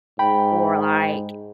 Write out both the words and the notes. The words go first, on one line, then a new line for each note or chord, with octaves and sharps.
Or, like,
G#2 G5 B5